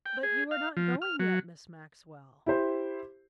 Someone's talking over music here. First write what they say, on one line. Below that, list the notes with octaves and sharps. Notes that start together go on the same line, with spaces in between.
But you are not going yet, Miss Maxwell?
G5
G#4
F5
F3
F6
F#3
E4 G4 C5